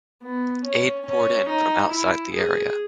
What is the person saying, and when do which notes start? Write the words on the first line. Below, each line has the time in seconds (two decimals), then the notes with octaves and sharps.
Aid poured in from outside the area.
0.23 B3
0.66 C#4
1.07 C#4
1.50 D#4
1.92 E4
2.34 G#4